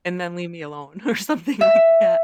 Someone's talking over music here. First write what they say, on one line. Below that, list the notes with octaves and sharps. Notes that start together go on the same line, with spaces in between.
and then leave me alone or something like that.
E5